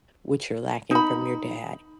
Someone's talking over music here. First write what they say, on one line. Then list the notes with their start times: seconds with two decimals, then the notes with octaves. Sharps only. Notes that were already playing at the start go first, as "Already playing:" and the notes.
what you're lacking from your dad."
0.91 D#4 B5